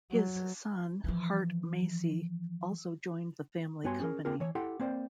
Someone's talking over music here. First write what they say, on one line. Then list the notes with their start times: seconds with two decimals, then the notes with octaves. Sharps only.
His son Hart Massey also joined the family company.
0.12 F#3
1.04 E3 F3
3.84 G2 B3 F#4 C#5 G#5 C6
4.00 C#4 G#4 A#4
4.25 A#3 C4 D4 F4 G#4 A#4
4.40 E3 C#5
4.55 E4 G4 A4 F#5 G5 C6
4.80 A#3 C4 C5 D5